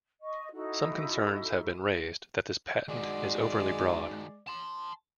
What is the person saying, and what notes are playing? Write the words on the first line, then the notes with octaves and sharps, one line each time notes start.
Some concerns have been raised that this patent is overly broad.
D#5 C#6
D#4 E4 F#4 A4
D#3 G#3 F#4 D5
A5 C6